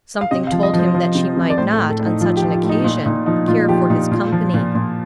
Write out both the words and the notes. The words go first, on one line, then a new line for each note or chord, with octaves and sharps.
Something told him that she might not, on such an occasion, care for his company.
F5
C3 D#5
F5
F3
D#5
F3
C5
F3
C3
C3
D5
A2 C5
A4
A2
A4
A2
D#4
F3 F4
G4
F3
F4
A2
D#4
A#2 D#4
A#2 D#4
F3 D#4
A#2 F4
F3 G4
A#2 D#4
A#2 F4
F3
A#2
A#2